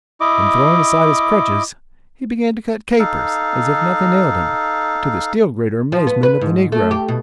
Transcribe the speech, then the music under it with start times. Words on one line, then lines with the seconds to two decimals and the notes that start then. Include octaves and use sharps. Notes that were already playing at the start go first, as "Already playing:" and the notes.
Then throwing aside his crutches, he began to cut capers, as if nothing ailed him, to the still greater amazement of the negro.
0.21 E4 D#5 D6
2.99 D#4 A4 F5
5.92 F3
6.07 B3
6.23 B4
6.41 G#2
6.72 A3
6.91 G4
7.08 B2